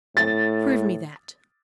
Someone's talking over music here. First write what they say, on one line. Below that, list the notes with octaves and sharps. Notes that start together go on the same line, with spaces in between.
"Prove me that."
A2 A6